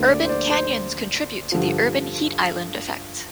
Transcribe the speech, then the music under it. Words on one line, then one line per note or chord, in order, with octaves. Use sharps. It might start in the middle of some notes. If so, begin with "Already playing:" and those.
Urban canyons contribute to the urban heat island effect.
Already playing: D2 D3 A#3
D5
C5
D5
C5
G2 D3 F3